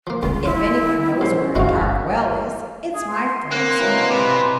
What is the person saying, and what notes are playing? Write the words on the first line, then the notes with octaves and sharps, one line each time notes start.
"If anyone knows where a dark well is, it's my friend the Scarecrow."
F3 A#3
C#2 G3 C4 C6
G3 B3 E4 F4
A#1 C#4 C5
G1 D2 G#3 C#4 E4 F#4 F5 C#6
G#4
C6
A#3 C4 C5 F#5 C6
E3 F#3 G#3
C3 B4